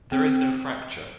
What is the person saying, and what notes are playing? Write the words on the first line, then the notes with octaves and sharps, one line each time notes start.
There is no fracture.
C4